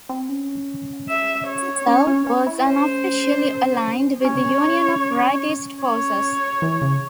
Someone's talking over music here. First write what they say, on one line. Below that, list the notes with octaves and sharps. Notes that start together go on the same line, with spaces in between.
Titov was unofficially aligned with the Union of Rightist Forces.
C4
C#4
E5
C#5
C#4
C#4
C#4
E4
C#4 C5
C#4 C#5
C#5
E3
C#3